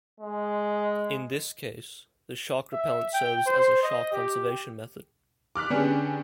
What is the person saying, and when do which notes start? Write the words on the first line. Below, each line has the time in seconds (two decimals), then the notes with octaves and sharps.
In this case, the shark repellent serves as a shark conservation method.
0.20 G#3
2.73 E5
3.14 G5
3.46 C5
3.83 D#5
4.13 G4
5.55 D6 F6 F#6 B6
5.70 D3 B3 C#4 D4 G4 G#4